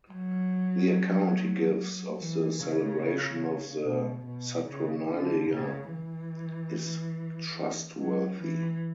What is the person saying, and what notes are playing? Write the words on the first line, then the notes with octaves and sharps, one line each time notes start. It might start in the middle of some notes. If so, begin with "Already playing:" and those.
The account he gives of the celebration of the Saturnalia is trustworthy.
F#3
E3
C#3
B2
B2
C#3
D3
C#3
E3
F#3
E3